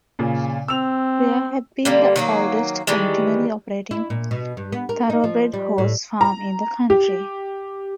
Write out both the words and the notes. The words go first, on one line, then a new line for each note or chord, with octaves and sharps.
Belair had been the oldest continually operating thoroughbred horse farm in the country.
A#2 C#3
C4 E6 F7
D3 G3 A#3
D#3 F#3 A#3
D#3 E3 G3 G#3
E4
A#2
B2
G2
B3
A#4
D#4
F3
G3
A2
A#5
G4